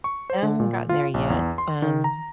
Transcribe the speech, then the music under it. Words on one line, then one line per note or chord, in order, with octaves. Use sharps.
Haven't gotten there yet, um,
C#6
C5
D3
A#2
F4
A#1
E2
C6
D#3
A#5